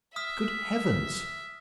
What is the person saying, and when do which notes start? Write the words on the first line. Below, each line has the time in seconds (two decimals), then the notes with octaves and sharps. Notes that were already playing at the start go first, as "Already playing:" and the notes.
Good heavens!
0.16 E5 D#6 F6 B6